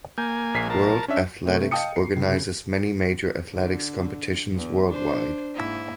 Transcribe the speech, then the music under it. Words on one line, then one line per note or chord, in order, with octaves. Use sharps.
World Athletics organizes many major athletics competitions worldwide.
A#3 G#5 G6
A#1 B6 C7
A#4 A5
C#4 D4 E5
C3 A3
D#5 F5 G5 A5 D#6 C#7
C7
C#2
C#3
D3
E2
D4 C5
G#2 A#3 E4